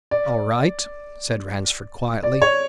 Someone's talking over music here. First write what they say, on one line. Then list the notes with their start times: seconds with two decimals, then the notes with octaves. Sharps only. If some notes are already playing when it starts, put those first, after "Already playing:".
"All right," said Ransford quietly.
0.11 D5
2.23 D5
2.42 C#5